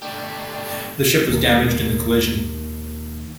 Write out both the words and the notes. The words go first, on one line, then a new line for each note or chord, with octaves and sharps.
The ship was damaged in the collision.
D3 A3 D4 G4
D#2 D#3 A#3